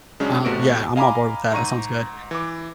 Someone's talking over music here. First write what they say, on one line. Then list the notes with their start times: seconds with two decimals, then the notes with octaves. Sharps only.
Um, yeah, I'm on board with that, that sounds good.
0.20 C#3 F#3 G#3 C#4 D4
0.45 A1 C3 A3 B3 F#4 D7
0.96 D#5 F5 G#5 A#5 B5 D6
1.52 G#2 A#5 C#6 D#7
2.31 E3 D6